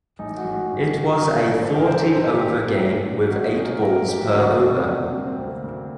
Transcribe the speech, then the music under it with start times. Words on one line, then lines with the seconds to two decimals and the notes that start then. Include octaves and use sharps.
It was a forty over game with eight balls per over.
0.19 A1 D#4
0.37 F#4
0.45 A1
0.54 F#4
0.70 G2 G4
0.84 A#4
0.97 D#3 G4
1.23 A1 D4
1.36 D4
1.49 A1 A4
1.62 C5
1.75 G2 A#4
1.87 C5
2.01 D#3 A4
2.14 C5
2.27 A1 G4
2.53 A1
2.78 A2
3.04 F#3
3.30 A1 F#4
3.48 D#4
3.56 A1
3.65 A#4
3.82 A2 A#4
4.08 F#3 G4
4.34 D2 F#4
4.47 D4
4.60 D2 D4
4.73 C4
4.85 C3 A#3
5.11 G3 C4
5.26 C4
5.37 D2 A#3
5.64 D2